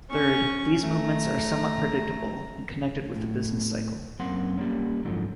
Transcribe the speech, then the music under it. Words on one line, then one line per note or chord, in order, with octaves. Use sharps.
Third, these movements are somewhat predictable, and connected with the business cycle.
C#4 C#6
A3 A#5
A2
F#2 A#3 C4 F#5 C6
G3 A#3 C#4
F2 G#2 D3 F3 F#3